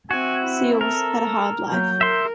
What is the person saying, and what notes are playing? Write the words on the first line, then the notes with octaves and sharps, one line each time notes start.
Seals had a hard life.
C4 F#4 E5 G#5
E4
A4 A#4
F#3 A#3 G6
A#4 E5 C6